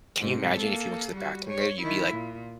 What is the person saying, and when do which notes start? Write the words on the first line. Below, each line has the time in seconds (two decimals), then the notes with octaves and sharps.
can you imagine if you went to the bathroom there, you'd be, like,
0.19 G#2 C3
0.58 A#3 A4
1.14 G3 F#4
1.46 C#5
1.82 D#3 E4
2.12 A#2